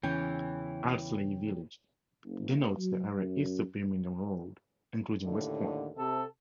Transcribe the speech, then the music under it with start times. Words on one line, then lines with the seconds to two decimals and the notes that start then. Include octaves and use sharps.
Allesley Village denotes the area east the Birmingham Road, including West Point.
0.03 E2 C#3 E3 C#4 C#5 G5
2.25 F#1
2.78 F#3
3.17 F#2
5.24 D#2 A2 D3
5.97 C3 A4